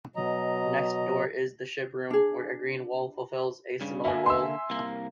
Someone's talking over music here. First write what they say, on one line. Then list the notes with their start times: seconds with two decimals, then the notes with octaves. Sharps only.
Next door is the ship room where a green wall fulfills a similar role.
0.16 B2 F#3 D#5 A#5
2.10 D4 G#4
3.81 G2 C#3
4.05 D3 A#3 E5 G#5
4.26 C6 E6
4.70 C2 A#3